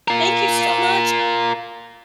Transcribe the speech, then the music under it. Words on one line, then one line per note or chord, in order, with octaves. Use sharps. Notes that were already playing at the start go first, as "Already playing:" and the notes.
thank you so much,
F4 A#4